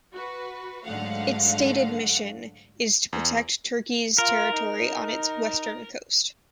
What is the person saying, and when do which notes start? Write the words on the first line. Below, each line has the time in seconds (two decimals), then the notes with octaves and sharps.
Its stated mission is to protect Turkey's territory on its western coast.
0.14 F#4 B4
0.85 G#2 D3 F#3 A3 F5 F#5
3.13 E2
4.18 F4 A#4
4.53 D#4